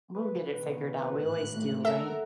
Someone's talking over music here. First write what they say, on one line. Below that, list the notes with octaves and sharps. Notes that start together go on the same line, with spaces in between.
We'll get it figured out. We always do, right?
B4
B2 D#3
G#1 A2 F#6
A3
A4 A#4 E5 F#5